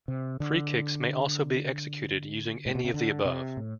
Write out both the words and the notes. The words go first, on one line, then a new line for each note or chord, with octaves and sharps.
Freekicks may also be executed using any of the above.
C3
D3
A2
B2
C3
D3
C3
A2